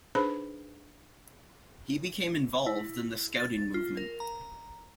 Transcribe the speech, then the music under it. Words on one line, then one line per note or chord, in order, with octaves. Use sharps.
He became involved in the Scouting movement.
D4 D#4 G#4 B4 C5 B5
E4
A6
F4
A#4
A#5